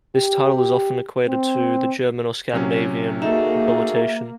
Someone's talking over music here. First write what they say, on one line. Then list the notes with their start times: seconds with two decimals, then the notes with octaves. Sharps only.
This title is often equated to the German or Scandinavian habilitation.
0.16 G4
1.27 C4
2.53 C3 F#3 C#4
3.22 A#3 D#4 F#4 G#4 A4 E5